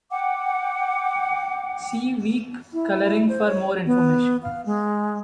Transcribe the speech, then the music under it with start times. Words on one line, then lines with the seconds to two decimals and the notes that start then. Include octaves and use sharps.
See weak coloring for more information.
0.11 F#5 G5 D6
2.73 E4
3.29 C5
3.47 C#5
3.86 B3
4.43 F5
4.66 G#3